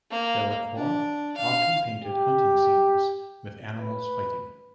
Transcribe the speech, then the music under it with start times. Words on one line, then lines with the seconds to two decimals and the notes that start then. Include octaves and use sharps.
Delacroix often painted hunting scenes and animals fighting.
0.10 A#3
0.76 D4
1.37 F5
2.04 G4
3.78 B4